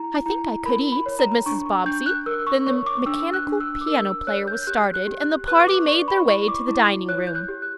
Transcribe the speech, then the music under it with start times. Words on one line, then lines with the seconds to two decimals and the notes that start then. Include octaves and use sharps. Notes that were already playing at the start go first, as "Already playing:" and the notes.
"I think I could eat," said Mrs. Bobbsey, then the mechanical piano player was started, and the party made their way to the dining room.
Already playing: E4 A#5
0.26 E4 A#5
0.66 A#4 B5
0.92 B5
1.06 C#5
1.19 A#5
1.46 D4 C#6
1.66 C#6
1.86 D4 G6
2.06 F#6
2.26 A#4 E6
2.47 C#6
2.67 C#5 C#6
2.86 D6
3.06 D4 E6
3.33 F#6
3.46 D4
3.60 E6
3.81 D6
3.87 A#4 E6
4.07 E6
4.27 C#5 F#6
4.47 G6
4.63 G6
4.67 G4 F#6
4.94 F#6
5.08 G4
5.21 F#6
5.48 B4 F#6
5.61 C#6
5.68 D6
5.88 D5 C#6
6.08 B5
6.28 E4 C#6
6.48 D6
6.68 E4 D6
7.08 C#5 F#6
7.27 G6
7.35 F#6
7.48 G4
7.62 F#6